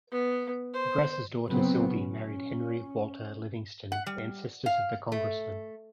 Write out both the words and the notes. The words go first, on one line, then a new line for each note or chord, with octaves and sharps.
De Grasse's daughter, Sylvie, married Henry Walter Livingston, ancestors of the Congressman.
B3
C5
A#2 C#3 F#3 B3 C4
C#4
F#5
G3
F5
A3